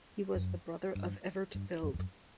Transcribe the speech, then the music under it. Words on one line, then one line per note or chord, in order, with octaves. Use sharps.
He was the brother of Evert Bild.
F#2
G2
G2
F#2
E2
F#2